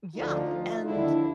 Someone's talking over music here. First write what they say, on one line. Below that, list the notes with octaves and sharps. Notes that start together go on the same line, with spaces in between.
Yeah, and
D2 D3 F3 D#4 F4
D#2 D3 F3 D4 E4